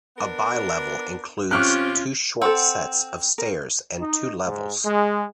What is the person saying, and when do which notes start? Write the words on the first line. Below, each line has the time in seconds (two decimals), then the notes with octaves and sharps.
A bi-level includes two short sets of stairs and two levels.
0.17 B3 D4 A#4
1.51 C3 C4 C#4 F4 G4 C#6 F6 F#6
2.42 C4 A4 F#5
3.38 A#4
4.01 D#4
4.46 G#2
4.85 G#3